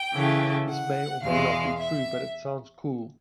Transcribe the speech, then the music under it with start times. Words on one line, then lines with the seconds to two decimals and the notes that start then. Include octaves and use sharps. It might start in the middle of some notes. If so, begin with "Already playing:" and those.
This may or may not be true, but it sounds cool!
Already playing: G5
0.14 C#3 E3 A3
0.69 F#5
1.23 E2 B2 G#3 F5
1.78 E5